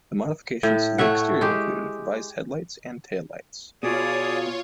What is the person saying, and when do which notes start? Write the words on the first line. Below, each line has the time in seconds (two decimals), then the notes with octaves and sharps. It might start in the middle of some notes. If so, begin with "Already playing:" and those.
The modifications to the exterior included revised headlights and taillights.
0.63 A2
0.98 A3 C#5 E5 F#5
1.41 G#3 G4
3.83 B2 F4 G#4 C#5 D5 D#6